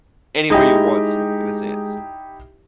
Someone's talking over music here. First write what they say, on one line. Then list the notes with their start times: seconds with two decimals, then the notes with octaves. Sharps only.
anywhere you want to, in a sense.
0.50 G#3 D#4 E4 G4 G#4 D#5